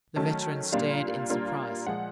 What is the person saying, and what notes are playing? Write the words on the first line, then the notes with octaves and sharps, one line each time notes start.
The veteran stared in surprise.
D#3 F#3 A3 C#4 A5
A#2 G3 A#3 D4 F4 F5
A#2 G3 A#3 D4 F4
A#2 F3 G#3 F#5